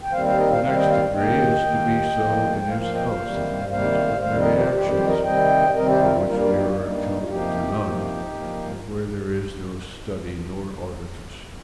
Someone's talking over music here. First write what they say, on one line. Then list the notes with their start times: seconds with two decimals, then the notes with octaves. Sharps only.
The next degree is to be so in his house, and in his ordinary actions, for which we are accountable to none, and where there is no study nor artifice.
0.02 G5
0.12 D#2 D#3 G3 C4 C5 F5
0.25 C5 F5
0.38 A#4 D#5
0.51 C5 F5
0.63 D#2 D#3 G3 C4 C5 F5
0.76 D#5 G5
0.89 C5 F5
1.14 D#2 D#3 A#3 D#5 G5
1.66 D#2 D#3 A#3
2.17 A#2 F3 A#3
2.60 G5
2.68 A#2 F3 A#3 C5 F5
2.81 C5 F5
2.94 D#5 G5
3.07 C5 F5
3.19 C3 D#3 G3 A#3
3.70 C3 D#3 G3 A#3 C5 F5
4.21 F2 D#3 G3 C5 F5
4.39 A#4 D#5
4.56 G4 C5
4.72 F2 D#3 G3 G4 C5
4.86 D#5
4.90 G4 C5
5.07 A#4 D#5
5.24 C3 D#3 G3 C4 D#5 G5
5.75 C3 D#3 G3 C4 A#4 D#5
5.88 G4 C5
6.01 F4 A#4
6.14 F4
6.27 G2 G3 A#3 F4 A#4
6.40 F4 A#4
6.52 D#4 G4
6.65 F4
6.78 G2 G3 A#3 D#4
7.22 F4
7.29 C3 F3 A#3 D#4 G4
7.80 C3 F3 A#3
8.31 A#2 F3 A#3